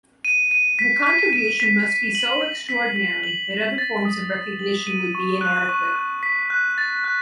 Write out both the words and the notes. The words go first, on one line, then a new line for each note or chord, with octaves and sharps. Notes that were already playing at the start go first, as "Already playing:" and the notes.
The contribution must be so extraordinary that other forms of recognition would be inadequate.
D#7
D#7
B6
B6
D#7
B6
B6
F#7
B6
B6
B6
F#7
F#7
A6
D#6
D#6
F#7
D#7
C#6
F#6
C#6
F#6
B6
F#6
A6
F#6